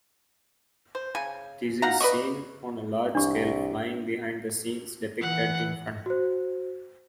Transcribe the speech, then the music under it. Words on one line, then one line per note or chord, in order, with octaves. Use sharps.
This is seen on a large scale flying behind the scenes depicted in front.
C5
C#3 G#5
D#4 F5 F#5 A#5
B4 D5 D#5 C#6
C2 D4 C#6
E3 F#5
F#4 C5